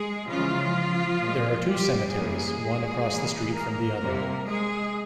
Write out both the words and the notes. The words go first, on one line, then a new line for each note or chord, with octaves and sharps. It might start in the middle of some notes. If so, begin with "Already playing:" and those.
There are two cemeteries, one across the street from the other.
Already playing: G#3 G#4
C#3 E3 F3 G#3 F4
A#2 G#3
G3 G4
C#3 E3 G3 G#3 A#3 G#4
E3 A#3
A#3 A#4
C3 G3 A#3
G#3 G#4